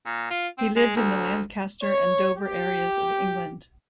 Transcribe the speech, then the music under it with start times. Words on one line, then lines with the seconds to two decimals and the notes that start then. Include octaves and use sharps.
He lived in the Lancaster and Dover areas of England.
0.06 A#2
0.30 F4
0.58 C4
0.76 G#3
0.96 D2
1.82 C#5
2.37 G4